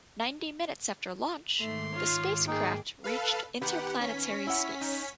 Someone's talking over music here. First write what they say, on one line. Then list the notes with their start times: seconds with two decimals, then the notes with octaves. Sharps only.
Ninety minutes after launch, the spacecraft reached interplanetary space.
1.60 G#2 D#3 A3 C6 D6
1.92 F4 C#5
2.47 A#3 D#4 G#4 G5
3.04 A4 B4 F5
3.61 D#3 B3 G4 B4 F#5
4.01 C#4 B6
4.47 E4 F#5
4.81 D#4